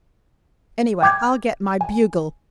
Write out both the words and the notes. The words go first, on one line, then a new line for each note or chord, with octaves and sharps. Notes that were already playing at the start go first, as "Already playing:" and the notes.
Anyway, I'll get my bugle.
G5 D6 G6 G#6
G#5